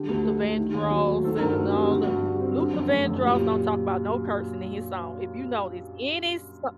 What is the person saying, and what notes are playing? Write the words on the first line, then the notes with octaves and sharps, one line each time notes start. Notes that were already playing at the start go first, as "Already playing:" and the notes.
Luther Vandross and all the Luther Vandross don't talk 'bout no cursing in his song, if you notice any so
Already playing: D3 G4
D2
A3
D2
D#3
D#2
F#3
A3
D#3 A4 C5
A#4
G2
F#4 A4
A3
G4
C4
D3 F#4
G2
G3
C4
D3
F#2
A3
F#2
A#2 G4